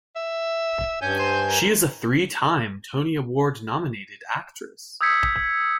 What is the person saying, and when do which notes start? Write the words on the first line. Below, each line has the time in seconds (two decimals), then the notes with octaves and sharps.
She is a three-time Tony Award-nominated actress.
0.16 E5
1.02 G2 C#4 G#5 G6
1.19 C5
1.49 A#4
5.01 D#6 E6 G6 G#6 B6 C#7